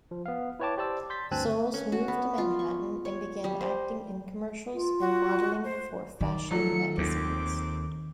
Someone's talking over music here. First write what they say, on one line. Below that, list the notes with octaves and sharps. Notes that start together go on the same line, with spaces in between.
Soles moved to Manhattan and began acting in commercials and modeling for fashion magazines.
F3
B3 F5
E4 B4 C#5 G5 A5 D6
G4 C5 D5 A5 E6
C6 G6 A6 B6
D2 G2 C4 G#5 A5 F#6
C#4
F#4
B3
F4
C#6
C#5
G3
C5
F4
F#4
C5
D#3 D5
F3 F#3 A3 C#7
D#2 C4 D6